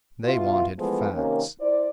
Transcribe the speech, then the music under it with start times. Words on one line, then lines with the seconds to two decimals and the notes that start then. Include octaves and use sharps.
They wanted facts.
0.25 B2 E4 F4
0.78 E3 F3 G#3 A3 B3
1.13 C3 D#3 A#3 C#4
1.60 E4 C5 D5